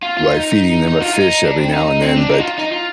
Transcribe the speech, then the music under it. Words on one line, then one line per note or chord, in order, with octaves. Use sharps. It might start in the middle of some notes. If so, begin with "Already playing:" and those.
by feeding them a fish every now and then, but
F4
F4
D#4
D#4
F4
D#4
D4
C4
D#4
C4
D4
D#4
F4
D#4
F4